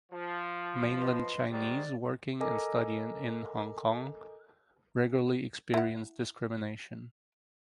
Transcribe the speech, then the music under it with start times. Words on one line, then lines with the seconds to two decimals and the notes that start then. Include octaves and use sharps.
Mainland Chinese working and studying in Hong Kong regularly experience discrimination.
0.12 F3
0.97 B4 D#5 C6
1.50 G#2 D#3 G3 D5
2.40 A4 A#4 D#5 G#5 A#5 D6
5.74 E4 F#5